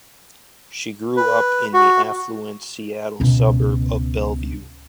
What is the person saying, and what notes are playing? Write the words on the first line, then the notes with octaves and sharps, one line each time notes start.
She grew up in the affluent Seattle suburb of Bellevue.
B4
F#4
C#2 B2